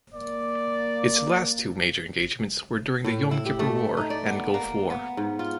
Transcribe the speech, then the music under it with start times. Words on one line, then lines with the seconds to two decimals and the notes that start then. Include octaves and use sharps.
Its last two major engagements were during the Yom Kippur War and Gulf War.
0.14 A#3 D5
3.04 A2
3.31 E4
3.46 G4
3.59 A3
3.97 D#4
4.10 D5
4.26 B3
4.54 A#3
4.90 B3
5.17 G#2
5.39 F4